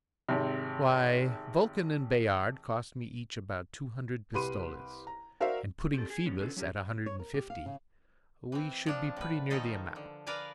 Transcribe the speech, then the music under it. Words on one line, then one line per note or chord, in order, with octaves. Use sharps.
"Why, Vulcan and Bayard cost me each about two hundred pistoles, and putting Phoebus at a hundred and fifty, we should be pretty near the amount."
G#1 C3
C2 G4 B4 B5 C6 D#7
A#5
F#4 A#4 C5 D5 E5 F5
C4 G4 A4
G#4
F3 B3 C#4
D3 C#4 F4 G#4 A4 B4
F#3 C#4 G4 A#4
C#5
A#4
G4
F5
C#3
E3 C4
F3 D4
A2 B4
D#3 F3 D#4 A4 G#5
D3
A#4 B4 D5 F5 G#5